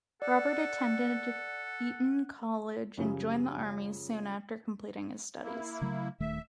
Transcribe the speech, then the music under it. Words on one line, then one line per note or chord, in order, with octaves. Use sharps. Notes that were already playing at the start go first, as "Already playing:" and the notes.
Roberts attended Eton College and joined the army soon after completing his studies.
A4 D5 F#5
F#2 C#3 F3 G3
A#3 E4
C#3 F#3 A3
D#1 D#3 A3 E5